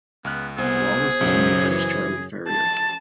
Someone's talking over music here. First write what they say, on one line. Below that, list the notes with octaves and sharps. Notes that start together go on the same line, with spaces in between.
Wallace's mayor is Charlie Farrior.
C#2 B3 F6 F#6
C2 B3 G#4 C5
B1 F#2 C#3 C#4
E3 G#4
A5